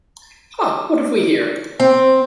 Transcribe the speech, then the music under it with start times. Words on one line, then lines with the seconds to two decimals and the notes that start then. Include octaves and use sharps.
Ha, what have we here!
1.80 C4